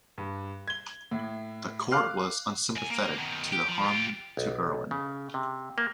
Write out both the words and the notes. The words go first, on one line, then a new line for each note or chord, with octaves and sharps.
The Court was unsympathetic to the harm to Irwin.
G2
G#6 G7
A2
F5 D6 F6 F#6 C7
E2 G#5
A#3
B2 D#3
G4
F3
F4 G4
B1
C#3
C3
A#3